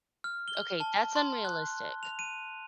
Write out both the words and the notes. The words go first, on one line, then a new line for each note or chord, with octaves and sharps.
Okay. That's unrealistic.
F6
G7
A5
C6
F#6
F7
D#7